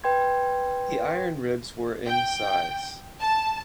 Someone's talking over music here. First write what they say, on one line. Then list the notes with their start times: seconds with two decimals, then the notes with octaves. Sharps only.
The iron ribs were in size.
0.04 B4 G5 C6 G#6
2.07 G5
3.21 A5